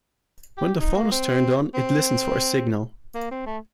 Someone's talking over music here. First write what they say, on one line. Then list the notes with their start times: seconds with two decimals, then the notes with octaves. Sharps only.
When the phone is turned on, it listens for a signal.
0.57 G4
0.81 D#4
0.96 A#3
1.12 C4
1.74 C4
3.15 A#3
3.31 C4
3.46 A3